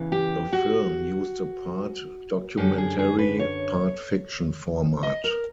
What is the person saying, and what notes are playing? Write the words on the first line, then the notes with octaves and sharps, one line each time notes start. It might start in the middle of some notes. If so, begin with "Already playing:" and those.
The film used a part-documentary, part-fiction format.
Already playing: E2 C#3 E3
G4
F#4
F#2 D3 G4
G#4
G#4
B4
C#5
D#5
A#4